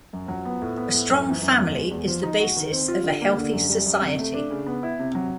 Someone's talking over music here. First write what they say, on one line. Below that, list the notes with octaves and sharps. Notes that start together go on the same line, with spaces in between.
A strong family is the basis of a healthy society.
F#2
F#3
B3
A2
B3
A2
F#2
E3
F#2
E2
G#3
E2
F3
D#4
F#4
D#3
C4
F4
D3
A#3
D3
F#2
G3
F#2
C3
A3
D4
C#3
B3
E4
C3
F#3